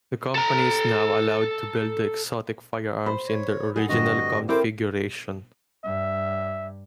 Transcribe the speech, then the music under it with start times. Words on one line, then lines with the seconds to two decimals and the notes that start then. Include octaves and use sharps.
The company is now allowed to build the exotic firearms in their original configuration.
0.35 A4 A#5
3.06 C5 B5
3.27 C#5
3.76 G#4 A4 F#5
3.89 D2 G2 D3 C4 F#4 D#5
4.49 C4 E4 A4 A#4 C5 G5 D6
5.84 G2 E5